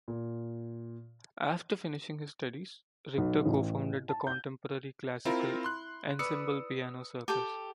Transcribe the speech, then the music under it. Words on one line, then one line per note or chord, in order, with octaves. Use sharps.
After finishing his studies, Richter co-founded the contemporary classical ensemble Piano Circus.
A#2
B1
A1
A5
G6
C4 E4 F4 A#4
C6 F#6
B4 D5 D#6 E6 C#7
G4 A4 G5